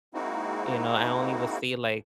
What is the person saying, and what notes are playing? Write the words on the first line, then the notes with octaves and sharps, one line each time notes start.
you know, I only would see, like,
G#3 A#3 C4 D#4 E4 F#4